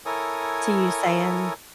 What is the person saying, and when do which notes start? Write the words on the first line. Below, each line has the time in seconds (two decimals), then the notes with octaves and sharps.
to you saying,
0.06 E4 A4 A#4 C#5 G#5 D#6